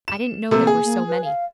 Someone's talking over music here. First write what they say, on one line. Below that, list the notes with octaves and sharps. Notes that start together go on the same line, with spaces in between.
I didn't know there were so many.
E7
C3 A3 A#3
G#4
A#3
B4
F5